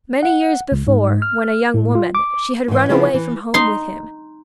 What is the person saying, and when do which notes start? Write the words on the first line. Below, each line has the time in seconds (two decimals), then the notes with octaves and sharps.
Many years before, when a young woman, she had run away from home with him.
0.23 F#5
0.72 C#2
0.87 G#2
1.22 F6
1.74 A2
1.95 F4
2.15 D6
2.68 G#2 E3
2.89 C#3 F3 B3 D4 E4 G#4
3.14 E3
3.54 D#4 C6